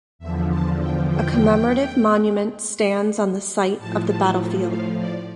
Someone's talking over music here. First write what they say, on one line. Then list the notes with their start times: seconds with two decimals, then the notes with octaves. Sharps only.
A commemorative monument stands on the site of the battlefield.
0.19 E2 D3 F3 E5
0.49 A5
0.79 G5
1.09 G5
3.78 A2 F3 A5
4.07 A5
4.68 F5
4.97 D5